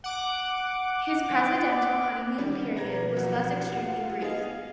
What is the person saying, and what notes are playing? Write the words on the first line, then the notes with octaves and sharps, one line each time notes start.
His "presidential honeymoon" period was thus extremely brief.
F#5 D6
D#3 G3 C#4
B2 F3 B4 A#5 G#6 A#6
E2 F#3 F#5
F4 G4
B3 G#4 D#5 F5